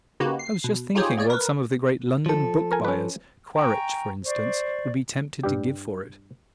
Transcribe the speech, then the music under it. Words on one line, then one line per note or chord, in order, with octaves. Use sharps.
I was just thinking what some of the great London book-buyers--Quaritch, for instance--would be tempted to give for it.
C#3 A#3 D#4 F#4 G4 B4
C7
B2
D#4 F4 G4 G#4 C5 C#5
A#3 G#4 C#5 D5
A#4 B4
F3 A4
A#4 G#5
C#4 B4
G5 G#5 A#5 C#6
C5 D5 C#6
G2 G3 G4